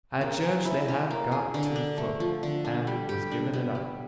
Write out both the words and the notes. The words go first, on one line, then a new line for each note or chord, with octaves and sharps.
I judged they had got to the foot, and was giving it up.
A#3
G#4
E4
C#4
A#3
G#4
D3
D4
A3
F3
D3
D4
G3
G4
D4
B3
G3